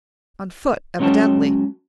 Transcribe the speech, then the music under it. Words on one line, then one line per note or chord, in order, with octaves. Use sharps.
On foot, evidently.
F#3 G#3 C#4 F#4 G5 A5